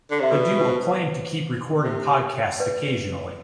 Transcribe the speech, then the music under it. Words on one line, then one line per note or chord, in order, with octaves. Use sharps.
The duo planned to keep recording podcasts occasionally.
D3
C3 E5
B2 B4 D5
B4
C5
C3
B4 D5